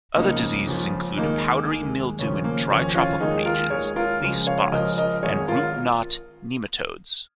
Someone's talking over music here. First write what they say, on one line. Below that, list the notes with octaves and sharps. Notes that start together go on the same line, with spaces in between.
Other diseases include powdery mildew in dry tropical regions, leaf spots, and root-knot nematodes.
C#2 C#3 F3 A#3 D#4
C#2 C#3 F3
D#2 D#3 G#3 A#3 D#4
D#2 D#3 G#3
D#2 C#3 F3 C#4
A#3
D#2 C#3 F3 C#4
C#4 F4
D#2 D#3 G#3 D#4 G#4
F4 A#4
D#2 D#3 G#3 G#4 C#5
F4 A#4
C#2 C#3 F3 G#3
C#5 F5
C#2 C#3 F3 G#3 A#4 D#5
A#4 D#5
G#1 G#2 G#3 G#4 C#5
F4 A#4